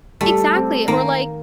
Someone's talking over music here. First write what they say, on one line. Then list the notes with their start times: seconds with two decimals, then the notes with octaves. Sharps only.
Exactly, or, like
0.21 G3 A3
0.55 C4
0.88 D#3 A#3